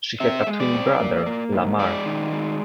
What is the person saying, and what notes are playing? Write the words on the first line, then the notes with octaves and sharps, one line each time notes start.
She had a twin brother, Lamar.
C4 E5
G#3
D5
C4
A#3
A#3
G#2
G#3 D5
D#3
G#3